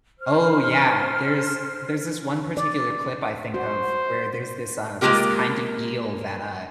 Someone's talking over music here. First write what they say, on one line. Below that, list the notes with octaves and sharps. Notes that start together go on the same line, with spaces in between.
Oh, yeah. There's there's this one particular clip I think of where there's this, uh this kind of eel that, uh
C5 F6
D5
F#4 C5
G#3 A#3 E4 F4 G4 A#4